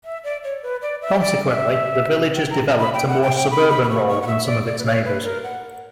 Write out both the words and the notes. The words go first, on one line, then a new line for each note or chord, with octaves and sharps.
Consequently, the village has developed a more suburban role than some of its neighbours.
E5
D5
C#5
B4
D5
E5
C#5
D5
E5
G5
A#5
B5
G5
F#5
G5
G5
B5
B5
B5
C#6
C#6
F#5
E5
D5
D5
B4
C#5
B4
A#4
F#5